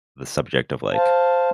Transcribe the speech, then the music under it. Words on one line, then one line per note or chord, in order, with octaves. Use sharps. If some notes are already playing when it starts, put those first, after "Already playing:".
the subject of, like,
C5 F5 A5